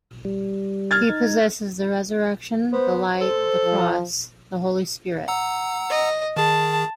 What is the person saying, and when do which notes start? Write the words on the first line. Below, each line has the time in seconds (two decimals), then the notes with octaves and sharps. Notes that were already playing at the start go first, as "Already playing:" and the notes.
He possesses the Resurrection, the Light, the Cross, the Holy Spirit.
0.25 G3
0.91 F6 G#6 A6
1.09 D#4
2.72 B3 C5
3.21 A4
3.65 F3
5.28 F#5 A#5 E6
5.90 D#5
6.37 D#3 G#4 A5